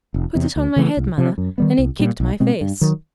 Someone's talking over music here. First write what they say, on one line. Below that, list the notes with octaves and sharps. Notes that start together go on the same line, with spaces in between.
'Put it on my head, Mother, and it kicked my face.'
F1
E2 C3
D2
C#3 E3 A3
C2
C3 F3
F#2
D#3 G3 B3
C2
A#2 G3
B1
B2 G#3 C4
G2
D#3 F#3